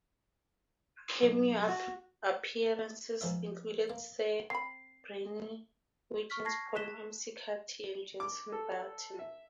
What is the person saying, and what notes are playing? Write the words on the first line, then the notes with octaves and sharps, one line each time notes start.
Cameo appearances included Sir Bradley Wiggins, Paul McCartney and Jenson Button.
B1
F#4
C#2 F3 D#4 E5
A#3
C4 B5 C7
C#6 F6 B6
A5 C#6 G#6 A#6 C7
F#6 B6 E7 G7
D6
A4
E5